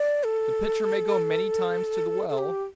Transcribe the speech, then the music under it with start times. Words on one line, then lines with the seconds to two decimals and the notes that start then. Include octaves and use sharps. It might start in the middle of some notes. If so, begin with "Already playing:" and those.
The pitcher may go many times to the well....'
Already playing: D5
0.24 A4
2.29 A4
2.38 G4